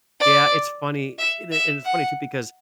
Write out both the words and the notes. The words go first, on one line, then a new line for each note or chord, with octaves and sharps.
Yeah, it's funny and i it's funny too because,
D5
E5
E5
F#5